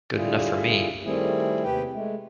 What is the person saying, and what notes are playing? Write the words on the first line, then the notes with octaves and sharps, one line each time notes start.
Good enough for me.
D3 G3 E4 F4 G#4
D#3 G3 A3 C4 E4 G#4
D#2 C3 G4 B4 G5
G#3 A3